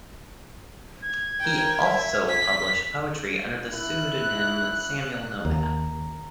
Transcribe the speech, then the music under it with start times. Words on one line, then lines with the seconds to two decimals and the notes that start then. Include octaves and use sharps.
He also published poetry under the pseudonym Samuel Nomad.
1.02 G#6
1.40 A#4 G5
1.81 E5
2.29 B6
3.73 E4 F#6
5.45 D#2 A#5